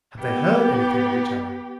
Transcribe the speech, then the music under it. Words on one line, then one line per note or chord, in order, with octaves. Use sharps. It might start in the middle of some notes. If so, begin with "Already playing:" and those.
Had they heard anything of each other?
B3 G4